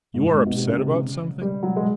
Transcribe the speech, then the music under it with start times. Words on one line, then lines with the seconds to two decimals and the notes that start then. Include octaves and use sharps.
"You are upset about something?"
0.14 G#2
0.25 G#2
0.35 A#2
0.46 B2
0.56 C3
0.67 C#3
0.78 C3
0.88 C#3
1.42 G3
1.63 F#3
1.76 G#3